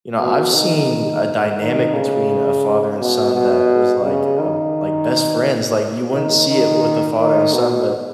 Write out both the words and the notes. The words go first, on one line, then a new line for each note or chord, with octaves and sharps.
you know, I've seen a dynamic between a father and son that was, like, uh, b like best friends, like you wouldn't see it with a father and son, but,
B2
D#3
D#3
C#3
B2
B2
C#3
D#3
D#3
D#3
D#3
B2